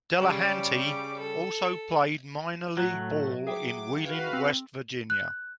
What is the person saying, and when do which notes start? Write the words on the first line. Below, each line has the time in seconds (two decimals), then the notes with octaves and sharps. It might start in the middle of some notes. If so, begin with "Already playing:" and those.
Delahanty also played minor league ball in Wheeling, West Virginia.
0.21 C#3 G3 D6
1.19 A4
2.77 A2 F#3 A3
3.47 G#4 E5 G5 D6
4.04 F#4 B4 F5
4.33 C4
5.10 F#6